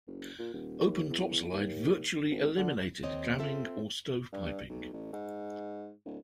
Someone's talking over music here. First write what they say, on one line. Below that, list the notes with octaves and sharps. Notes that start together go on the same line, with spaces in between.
Open top slide virtually eliminated jamming or stovepiping.
F#1
A#2
D#1
D#2
E2
D#2
G#1
D3
D#2 C4 C#5 D#5
C4 F4 A4 E5
G2
B1
A1
G#2
D1